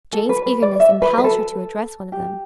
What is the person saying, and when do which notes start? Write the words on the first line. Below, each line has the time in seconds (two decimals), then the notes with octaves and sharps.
Jane's eagerness impelled her to address one of them.
0.13 A4
0.29 B4
0.46 B4
0.62 D5
0.80 E5
1.02 B4
1.18 B4
1.24 A4
2.12 G4